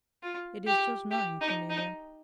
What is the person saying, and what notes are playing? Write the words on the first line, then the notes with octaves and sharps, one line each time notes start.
"It is just nine, Cornelia."
F4
G4
G4
D#4
D#4